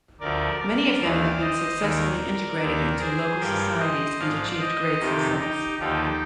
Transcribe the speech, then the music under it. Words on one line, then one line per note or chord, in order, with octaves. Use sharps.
Many of them have been successfully integrated into local societies and achieved great success.
D2 D3 F3 A#4 D5
A#4 D5
D#2 D#3 D5 F5
C5 D#5
D#2 D#3 A#4 D5
D#2 D#3 A#4 D5
G#4 C5
G2 F3 G4 A#4
C5 D#5
G#2 F3 D5 F5
C5 D#5
F2 C3 D#3 D#4 G4
D#4 G4
D#2 D3 F3 D#4 G4